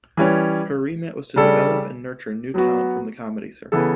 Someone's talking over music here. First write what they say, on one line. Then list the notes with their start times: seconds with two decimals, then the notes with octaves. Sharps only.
Her remit was to develop and nurture new talent from the comedy circuit.
0.17 E3 G3 C#4
1.36 C#3 G3 D4 A4
2.54 F#3 B3 F#4
3.72 C#3 E3 B3 E4 A4